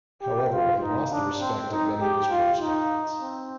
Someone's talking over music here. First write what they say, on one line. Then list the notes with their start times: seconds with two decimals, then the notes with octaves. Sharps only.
However, he lost the respect of many of his correspondents.
0.22 G4
0.52 F4
0.82 D#4
1.11 D4
1.41 C4
1.71 D#4
2.01 G4
2.30 F4
2.61 D#4
3.20 C4